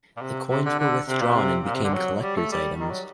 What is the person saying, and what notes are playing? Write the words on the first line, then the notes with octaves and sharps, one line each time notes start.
The coins were withdrawn and became collectors' items.
A#2
C3
C3
D3
D3
C3
A#2
C3
A#2
C3
D3
F#3
G3
A3
G3
D#3
F#3